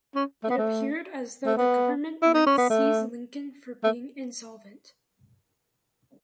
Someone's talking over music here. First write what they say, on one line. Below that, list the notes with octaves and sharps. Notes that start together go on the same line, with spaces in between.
It appeared as though the government might seize Lincoln for being insolvent.
C#4
A3
B3
A3
A3
B3
E4
D#4
C#4
B3
A3
A3